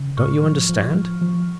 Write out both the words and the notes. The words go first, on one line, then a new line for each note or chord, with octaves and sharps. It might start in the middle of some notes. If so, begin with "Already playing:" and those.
Don't you understand?
Already playing: C#3
A2 C#6 F6
F3
F3
F3
F3